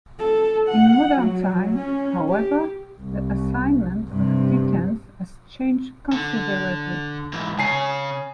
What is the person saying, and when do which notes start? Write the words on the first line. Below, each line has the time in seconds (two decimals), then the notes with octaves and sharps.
In modern times, however, the assignment of decans has changed considerably.
0.19 A4
0.69 F#5
1.18 F#3
1.76 C#4
2.29 G4
3.00 C2
4.09 G2 C3
6.12 D3
7.33 G#2 E3
7.59 C#3 C#5 G#5 C7